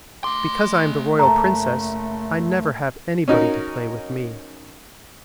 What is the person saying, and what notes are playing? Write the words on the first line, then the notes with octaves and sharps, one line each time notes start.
Because I am the royal princess I never have anybody to play with me.
A3 C6 D6
F#1 A4 A#5
C#4 D#4 F#4 A#4